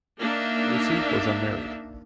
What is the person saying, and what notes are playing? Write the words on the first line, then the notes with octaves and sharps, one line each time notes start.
Lacey was unmarried.
A#3 D4 D#4 E5